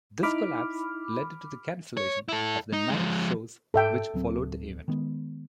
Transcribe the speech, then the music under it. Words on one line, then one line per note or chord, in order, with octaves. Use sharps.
This collapse led to the cancellation of the nine shows which followed the event.
D#4 E4 B5 D6 F6
C#5
E4 A4
D#4
F3 G#3
G#2 A4 E5 G5
D1 F#3 C4
D#3 G#3 B3